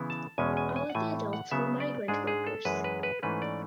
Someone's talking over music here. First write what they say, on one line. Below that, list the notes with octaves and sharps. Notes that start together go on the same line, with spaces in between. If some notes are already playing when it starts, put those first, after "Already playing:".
All of the adults were migrant workers.
Already playing: C#3 E3 B3 E4
A5
E2 B2 G#3 C#4 G#5
G#5
G#5
F#5
A2 E3 A3 G#5
F#5
C#3 F#3 B3 E5
D5
G#2 G#3 D4 G#4
G#4
A4
F#2 E3 G#3 B4
B4
B4
G#2 E3 A3 C#4 B4
D5